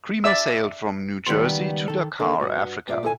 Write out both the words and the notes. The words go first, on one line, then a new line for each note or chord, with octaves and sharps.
Creamer sailed from New Jersey to Dakar, Africa.
D5 E5 E6
C#2 D#3 G3 B3 C6
D#3 A4
D3 A#3 D4 A4 A#4 D5
G2 F#4 F#5
G2 A#2 F4 D5 E5
A#2 E4 A4 C5 G#5